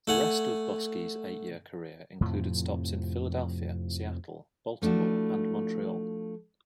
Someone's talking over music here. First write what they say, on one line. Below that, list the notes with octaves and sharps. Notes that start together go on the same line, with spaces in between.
The rest of Boskie's eight-year career included stops in Philadelphia, Seattle, Baltimore, and Montreal.
A3 F#5 G#5
F2 A2 C3 F3
F3 A3 D4 E4 F#4